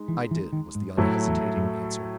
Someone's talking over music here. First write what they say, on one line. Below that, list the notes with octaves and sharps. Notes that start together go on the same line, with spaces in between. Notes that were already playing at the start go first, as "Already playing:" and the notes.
"I did," was the unhesitating answer.
Already playing: G#3 D#4
E3
E3
D#3
G#2
F#2 A2 F#3 A3 E4 A4
E2
F#2